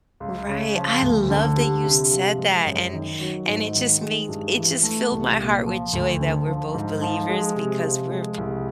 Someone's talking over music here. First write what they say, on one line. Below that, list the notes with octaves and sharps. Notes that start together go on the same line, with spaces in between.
Right, I love that you said that and, and it just made it just filled my heart with joy that we're both believers because we're
C#2
C#3
F3
D2
D3
G3
C3
F3
G#3
F#2
D#3
F#3
G#2
D#3
G#3
G2
E3
A3
C2
A#2
F3
D2
D3
F3
G#2
F3
G#3
C3
F3
G#3
C2